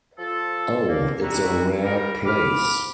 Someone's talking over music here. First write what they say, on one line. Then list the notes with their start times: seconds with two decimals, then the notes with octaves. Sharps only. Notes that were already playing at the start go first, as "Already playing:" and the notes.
Oh, it’s a rare place!
0.18 F3 F4 A4
0.88 A#3
1.22 G3 A3 C4 D#4 E4 F#4
1.83 G3 A#4
2.25 C2 B5 D6 F6